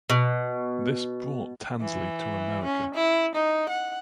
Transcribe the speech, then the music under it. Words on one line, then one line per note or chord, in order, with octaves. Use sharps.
This brought Tansley to America.
B2
E3
C#4
E4
D#4
F#5